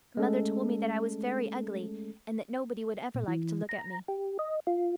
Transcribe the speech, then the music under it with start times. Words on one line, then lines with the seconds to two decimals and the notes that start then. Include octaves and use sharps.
Mother told me that I was very ugly and that nobody would ever like to look at me.
0.17 G#3 A3 C#4 A4
3.15 A#2
3.28 E3
3.69 A#5
4.08 G4
4.39 D#5
4.67 F4